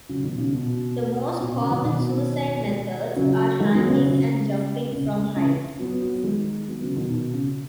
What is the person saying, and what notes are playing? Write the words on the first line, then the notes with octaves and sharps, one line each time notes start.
The most common suicide methods are hanging and jumping from height.
C#3 F#3
B2 D#3
C#3
B2
B2
C#3
B2 D#3
B2 D#3
C#3 F#3
D#3 G#3
F#3 B3
C#3 F#3
C#3
C#3
C#3
F#3 B3
F#3 B3
D#3 G#3
F#3 B3
C#3 F#3
B2 D#3
B2
C#3